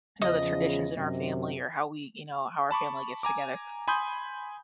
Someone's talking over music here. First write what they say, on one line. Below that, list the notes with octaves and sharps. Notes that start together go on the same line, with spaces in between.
you know, the traditions in our family or how we, you know, how our family gets together.
E2 C#3 F3 D#5
F#2 C3
A5 B5 C#6 D6
G#5 A#5 D6
G#5 B5 C6 D#6 G6